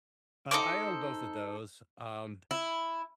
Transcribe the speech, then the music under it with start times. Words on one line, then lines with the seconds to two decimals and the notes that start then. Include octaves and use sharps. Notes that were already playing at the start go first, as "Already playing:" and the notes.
Uh, I own both of those. Um,
0.51 D#4 A4 C5 D6
2.51 E4